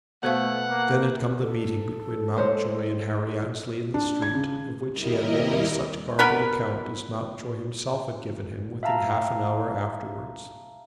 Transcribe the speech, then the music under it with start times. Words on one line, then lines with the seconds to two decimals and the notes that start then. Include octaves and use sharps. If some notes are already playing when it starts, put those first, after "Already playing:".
Then had come the meeting between Mountjoy and Harry Annesley in the street, of which he had only such garbled account as Mountjoy himself had given him within half an hour afterward.
0.23 B2 A3 A4 C5 F5 F#5
0.70 A#3
1.42 A4
2.36 G#3 C5 C#5
3.94 D4
4.22 G#6
4.35 C#3
4.92 D#2 G3 E4 A#4 D#5
6.19 B3 A#4 B4
8.83 E5 F5 A5 A#5